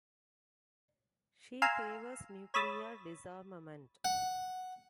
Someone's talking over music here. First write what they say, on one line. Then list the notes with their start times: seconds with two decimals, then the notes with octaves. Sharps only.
She favours nuclear disarmament.
1.62 F5 G#5 A#5 C6 E6 F6
2.54 C#5 B5 D#6 E6 A6
4.05 F#5